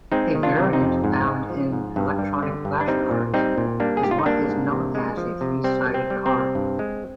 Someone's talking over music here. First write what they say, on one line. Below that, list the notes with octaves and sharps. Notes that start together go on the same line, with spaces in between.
A variant, found in electronic flashcards, is what is known as a three-sided card.
G#3 C4 D#4
D#3
D4 F4
C3
C4 D#4
F2
G#2
G#3
F3
G#2
G2
G3
D3
G2
D4
G3 C4 D#4
A#2
G3 C4 D#4
A#2
G3 A#3 D4
G#4
G#2 G4
F4
D#4
G3 A#3 D4
G#2
C3
G#3
F3
C3
G3 C4
C3
C4
G3
C4
C3
G2
G#3